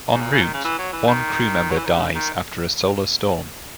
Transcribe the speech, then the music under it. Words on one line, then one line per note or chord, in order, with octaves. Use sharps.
En route, one crew member dies after a solar storm.
G#2
A#2
C#3
D#3
C#3
E3
F#3
E3
D#3
F#3
E3
D#3
C#3
D#3